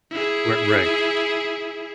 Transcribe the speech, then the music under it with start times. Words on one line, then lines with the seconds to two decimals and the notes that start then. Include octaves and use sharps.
R right.
0.11 E4 G#4